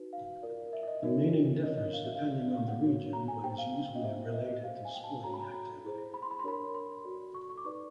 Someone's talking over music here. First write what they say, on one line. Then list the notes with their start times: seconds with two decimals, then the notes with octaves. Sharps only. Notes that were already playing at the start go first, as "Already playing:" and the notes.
The meaning differs depending on the region, but is usually related to sporting activity.
Already playing: D#4 F#4 B4
0.13 F5
0.43 F4 A#4 D5
0.73 E5
0.83 E5
0.88 D#5
1.03 D#4 F#4 A#4 C#5
1.63 D4 F4 A#4 C#5 D#5
1.77 D#5
1.93 F5
2.04 E5
2.16 F5
2.23 F4 A4 D5
2.53 F5
2.68 F#5
2.83 F#4 A4 C#5
3.13 A#5
3.28 G#5
3.43 G4 C5 G5
3.58 F5
3.96 D#5
4.04 G4 C5 E5
4.33 D#5
4.49 D#5
4.64 G4 C5 F5
4.85 G#5
4.94 G5
5.04 A5
5.09 G#5
5.24 F#4 A4 C#5 A#5
5.34 B5
5.40 A#5
5.84 E4 G#4 C5
6.14 B5
6.22 C6
6.31 B5
6.39 C6
6.44 D4 G4 A#4 C#5 B5
6.74 C6
7.04 F#4 A4 D5
7.34 C#6
7.50 C#6
7.57 D6
7.64 D#4 G4 B4 D5 C#6